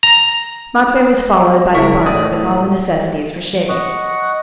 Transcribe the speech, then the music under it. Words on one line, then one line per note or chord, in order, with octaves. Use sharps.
Matvey was followed by the barber with all the necessaries for shaving.
A#5
C#3 E4 A#4 E5 C#6 B6
A2 D5 D#6
D#5 F#5 C#6